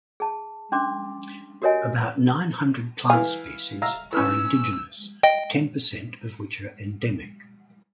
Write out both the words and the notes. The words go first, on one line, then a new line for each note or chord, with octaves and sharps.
About nine hundred plant species are indigenous, ten percent of which are endemic.
G#4 A5
C#4 D4 C6 D6
F#4 G4 A#4 C#5 D#5 G#5
E3 F5 G#5
F5 A#5 E6
E3 C#4 E6
D#5 G5